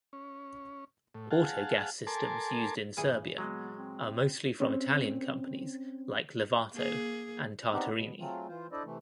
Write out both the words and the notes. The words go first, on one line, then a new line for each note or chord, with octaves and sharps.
Autogas systems used in Serbia are mostly from Italian companies like Lovato and Tartarini.
C#4
A2
G#4 F5 F#5 A5
A4 A#4 G#5 A5 C6 D6
G2 A#2 E3 G#4
F#3 G#3 B3
C4
C4 C#4
A#3 G#4
B3 C4 D4 D#4 G4
B2
F#3 G#3 A3 C4 F4
E3 F4 C5
D4 E4 A4 C5 D5 D#5
C3 E3 A3